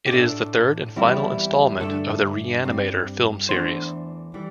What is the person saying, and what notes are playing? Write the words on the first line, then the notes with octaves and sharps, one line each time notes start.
It is the third and final installment of the "Re-Animator" film series.
G4
A2 A3 D4 A4
E2 E3 G3 C4 E4
G2 D3 A3 D4 A4
G2 G3 C4
E2 E3 A3 D4 C5
E3 G3